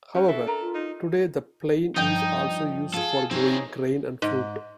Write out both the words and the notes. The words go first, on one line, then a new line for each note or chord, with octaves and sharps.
However today the plain is also used for growing grain and fruit.
C#4 F#4 G4 C#5
E4 F#4 A4 E5
D4 A#4 A#5
F4
D#4
G2 F3 D#4 D#5 G5
F4 G#4 A4
E3 C4 D#4 G#4 C#5
G#2